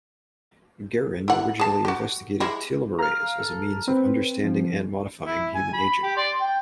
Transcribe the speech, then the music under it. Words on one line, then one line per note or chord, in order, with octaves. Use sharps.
Geron originally investigated telomerase as a means of understanding and modifying human aging.
E4 F#5
G#4 A5
F#4 G4
G3 G#3 E4
F5 A#5 F6
A4
C4 B4
F3
E4
G#5
B5
G4
D5 C6
G5